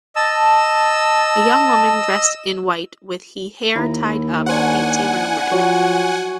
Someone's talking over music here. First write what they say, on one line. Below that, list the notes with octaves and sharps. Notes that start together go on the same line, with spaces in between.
A young woman dressed in white with he hair tied up paints a room red.
D#5 A5 E6
D#2 E4 A#5
D4 C5 C#5 F#5 G#5
F3 F#3 F#4 C#5